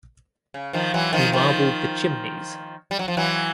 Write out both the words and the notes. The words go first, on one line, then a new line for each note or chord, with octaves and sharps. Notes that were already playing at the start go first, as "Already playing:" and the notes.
He marbled the chimneys.
C#3
D#3 F3
E3 F#3
D#3 F3
D#3 F3
G3
F#3
F3
E3 F#3